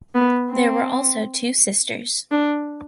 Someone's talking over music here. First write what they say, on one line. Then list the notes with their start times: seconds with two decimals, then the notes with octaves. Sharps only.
There were also two sisters.
0.15 B3
0.51 C4
2.31 D4